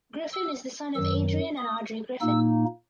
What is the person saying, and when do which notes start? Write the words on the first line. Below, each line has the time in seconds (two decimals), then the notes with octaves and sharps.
Griffin is the son of Adrian and Audrey Griffin.
0.32 E6
0.94 F#2 D#3 F#3 E6
1.57 D#6
2.20 A#2 A#3 D#4 E6